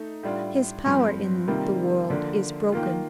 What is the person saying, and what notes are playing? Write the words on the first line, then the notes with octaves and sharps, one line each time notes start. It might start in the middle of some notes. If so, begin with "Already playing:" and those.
His power in the world is broken.
Already playing: A3 D#4
A2 G3 D4 F4
G2 F3 C4
C3 D#3 G3 A#3 F4
D3 F3 A#3 D4
D#3 A#3 F4